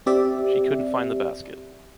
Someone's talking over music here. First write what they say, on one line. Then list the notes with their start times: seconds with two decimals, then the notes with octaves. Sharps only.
She couldn’t find the basket.
0.06 C4 G4 D5 E5